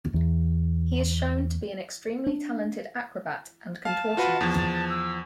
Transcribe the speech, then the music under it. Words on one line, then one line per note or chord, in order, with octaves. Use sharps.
He is shown to be an extremely talented acrobat and contortionist.
E2
D4
F5 A5
F4 F#4 B4
E2 F3
E6